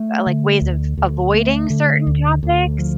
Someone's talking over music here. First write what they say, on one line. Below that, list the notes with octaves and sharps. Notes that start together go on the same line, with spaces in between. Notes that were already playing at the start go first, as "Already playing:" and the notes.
uh, like, ways of avoiding certain topics?
Already playing: A3
D3
D2
D2
A3
D3
D2
D2
F3